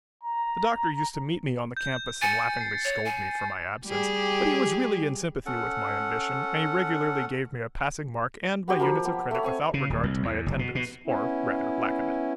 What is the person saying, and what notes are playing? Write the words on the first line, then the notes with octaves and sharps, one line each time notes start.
The Doctor used to meet me on the campus and laughingly scold me for my absence, but he was really in sympathy with my ambition and he regularly gave me a passing mark and my units of credit without regard to my attendance, or, rather, lack of it.
A#5
G6
G#5 A6 C#7
C7
C#5
G#5
G3 G4 G#4
C#4 A4 F#5
B3 F#4 G4
F3 A#3 B5
B3
A3 C#5
C4 G#5 C#6
C#3
D1
C2
E2
F#1
B2
B2
B3 C#4 E4